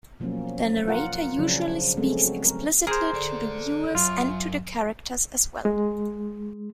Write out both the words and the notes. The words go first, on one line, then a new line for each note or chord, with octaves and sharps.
The narrator usually speaks explicitly to the viewers and to the characters as well.
B2 F3 F#3 A#3 C#4
F4 A#4 F#5
C#3 F3 F#3 C#4 D4
F#3 G#3 A3 C4 C#4
F#4
A#4
G#4 A#4 C5
A4 D5
F#2 F4
G#3